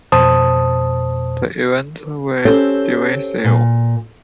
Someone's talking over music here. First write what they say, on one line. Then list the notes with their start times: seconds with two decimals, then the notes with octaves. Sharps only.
The events were divisive.
0.12 F2 B2 C5 A5 D#6
2.45 C4 C#4 G4 A4 C5
3.44 A#2